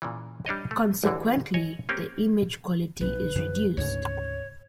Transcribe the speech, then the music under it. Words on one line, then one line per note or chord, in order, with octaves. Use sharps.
Consequently, the image quality is reduced.
A#2 C#3 E3
G3 D4 C#5 D#5
A3
A1 D2 D3 E3
C#5 D#5 G#5
A#3 C4 C#4 G4
B1 B4
F#2 C#3 F3
D2 G#2 C#3 C#5